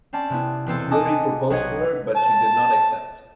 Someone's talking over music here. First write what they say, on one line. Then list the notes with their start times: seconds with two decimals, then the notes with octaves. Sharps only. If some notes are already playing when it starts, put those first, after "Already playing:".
Fury proposed to her, but she did not accept.
0.13 C4 C#4 D5 A5
0.30 C3 B3 E4
0.66 E1 B3 C4 A4
0.91 D#5 F#5 G#5 A5 D6 D#6
1.50 B1 C#5 D#5 F#5 G#6
2.16 A5